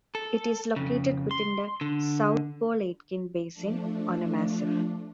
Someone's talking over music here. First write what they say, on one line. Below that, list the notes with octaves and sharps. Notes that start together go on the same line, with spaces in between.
It is located within the South Pole-Aitken basin on a massif.
A4
F2 C#3
C6
D3
F3 A3 D4